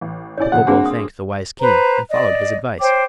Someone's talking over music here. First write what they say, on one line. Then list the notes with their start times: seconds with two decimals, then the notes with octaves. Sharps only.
Popopo thanked the wise king and followed his advice.
0.01 A1
0.38 C#4 E4 C#5 D5 G#5
0.52 A#2 C#3 F3 F#5
0.67 A#3 C4 D4 F#4 G#4
0.86 D#6
1.60 B4 C5 A#5
2.10 D5 D#5
2.80 C5 C#5 G5 D6